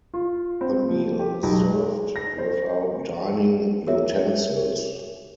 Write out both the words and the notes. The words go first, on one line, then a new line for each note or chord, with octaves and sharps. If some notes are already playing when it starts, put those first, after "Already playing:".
The meal is served without dining utensils.
F4
C4
F3
G4
B1
G#3
A#6
C5
F#4 G#4 A#4 C#5 E5